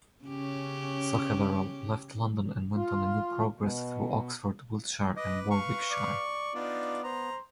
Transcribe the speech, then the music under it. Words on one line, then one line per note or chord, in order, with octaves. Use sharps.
Sacheverell left London and went on a new Progress through Oxford, Wiltshire and Warwickshire.
C#3 C#4 G4
F4
B2
B4 D#5 D6
B4 F5 C#6
D5
B3 D4 D#4 F4
C5 A#5